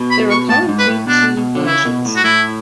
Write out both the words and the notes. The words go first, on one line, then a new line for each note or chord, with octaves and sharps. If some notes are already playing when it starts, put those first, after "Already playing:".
There are currently two versions.
Already playing: B2
B5
C#6
A2 A5
A2
G#2
B4
A2
B2 D4
B2
D3
C#3 E4
B2
A2
F#4
A2 E4